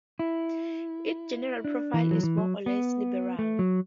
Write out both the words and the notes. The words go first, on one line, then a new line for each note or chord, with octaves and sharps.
Its general profile is more or less liberal.
E4
D4
E3
F#3
E3
F#3
B3
A3
F#3